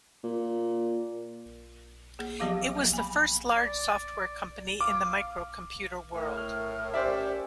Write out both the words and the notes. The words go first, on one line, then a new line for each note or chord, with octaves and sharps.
It was the first large software company in the microcomputer world.
A#2
A#3 G#4
F3 F#3 B3 G4 F5 D6
A#3
G#5 B5
D5
F5 D6
A2 A#4
F6
C#4 G4 C5 D5 E5